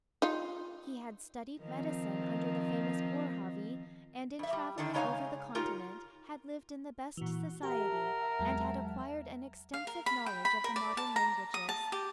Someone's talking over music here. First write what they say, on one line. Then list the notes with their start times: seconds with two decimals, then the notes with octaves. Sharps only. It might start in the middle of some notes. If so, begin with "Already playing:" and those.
He had studied medicine under the famous Boerhaave, and, in travelling over the Continent, had lived in the best society, and had acquired an extensive knowledge of the modern languages.
0.22 D#4 F4
1.60 D#3 F3 C4
4.39 F2 E5
4.53 G3
4.78 D3 D#3 D4
4.94 C#3 G#3 D#4 C#5 F5 G#5
5.55 D#4 F4 G4 A#4
7.17 A#2 E3 F#4
7.63 G4 A#4 E5 F#5 A5
8.39 E2 F#3 G#3
9.74 F5
9.87 A#4
10.06 B5
10.26 G5
10.45 B5
10.64 A#4
10.76 D5
10.97 A5
11.16 A#5
11.54 D#6
11.69 A5
11.92 G4